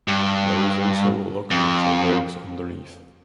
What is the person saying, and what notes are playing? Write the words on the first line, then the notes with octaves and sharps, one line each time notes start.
There was also a locker for dogs underneath.
G2
F2